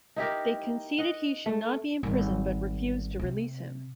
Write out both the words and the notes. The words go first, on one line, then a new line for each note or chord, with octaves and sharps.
They conceded he should not be imprisoned but refused to release him.
D#4 E4 G4 A#4
D#5 F#5
A3
G#1 G3
C3